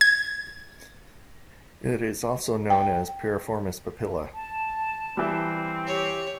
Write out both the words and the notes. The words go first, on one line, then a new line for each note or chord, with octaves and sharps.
It is also known as piriformis papilla.
G#6
G5
A5
E3 G3 C4
G4 C#5